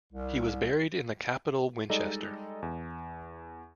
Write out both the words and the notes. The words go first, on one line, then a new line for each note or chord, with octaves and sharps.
He was buried in the capital Winchester.
C2
G3 G#3 D#4 A4 D5 D#5
E2